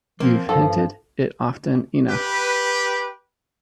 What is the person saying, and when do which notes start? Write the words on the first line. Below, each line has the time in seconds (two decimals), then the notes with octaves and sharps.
You've hinted it often enough.
0.20 F3 A#3 C4
0.49 G2 F3 A4
2.07 G4 B4